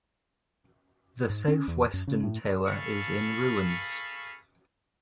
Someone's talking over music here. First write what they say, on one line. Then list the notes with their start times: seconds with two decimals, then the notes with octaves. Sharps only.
The south-western tower is in ruins.
1.30 G#2
1.48 C#4
1.68 E2
1.94 F#2
2.07 C#3
2.23 A2
2.66 G#4 A4 F5 A5 B5 C#6